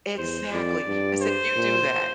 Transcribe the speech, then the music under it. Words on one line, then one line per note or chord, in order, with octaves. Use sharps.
Exactly. I said, "You do that,
E2 C5
F2 D5
G2
C5
A#2